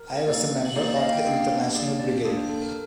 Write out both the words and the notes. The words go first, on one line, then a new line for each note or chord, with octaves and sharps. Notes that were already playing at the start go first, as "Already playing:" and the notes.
I was a member of the International Brigade.
Already playing: A#4
A#3 D#4 G4
A#3 D#4 G4 C5
D5
D#5
F5
G5
A#3 D4 G4 F5
A#3 D4 G4 D5
D5
A#3 D4 G4 D5
C5
A4
A#4